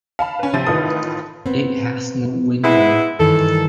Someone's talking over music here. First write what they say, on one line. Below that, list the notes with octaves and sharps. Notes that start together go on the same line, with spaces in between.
It has no window.
F5 A5 B5
C#4 B4
C3 F3 C4 E5 A6 D#7
A1 D#3 F4 A4 B4 D#6
B3 C4
G#3 B3 E4
G2 D#3 E3 A4